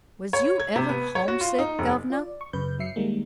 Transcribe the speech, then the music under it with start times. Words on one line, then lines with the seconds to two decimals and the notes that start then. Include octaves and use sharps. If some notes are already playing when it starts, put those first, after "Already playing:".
Was you ever homesick, governor?'
0.33 C#5
0.60 G#6
0.76 C3
0.89 B3
1.15 C#5
1.28 F#4
1.41 F4
1.59 D#4
1.79 F1
2.10 F4 D5
2.41 C#6
2.53 F#2 C#3 B4 G6
2.79 F#2 F#3 E5 C7 C#7
2.96 D#3 G3 G#3 A#3